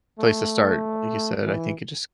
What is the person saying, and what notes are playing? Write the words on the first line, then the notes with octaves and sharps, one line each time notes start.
place to start. Like you said, I think you just
A3
E3